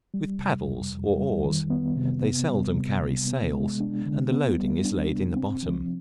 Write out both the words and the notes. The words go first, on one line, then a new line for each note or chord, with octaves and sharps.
With paddles, or oars; they seldom carry sails, and the loading is laid in the bottom.
G3
C3
F2
F2
G3
D#3
B3
C3
B3
G3
C3
C3
B3
G#3
D4
D3
B3
G3
D4
C3
C4
F3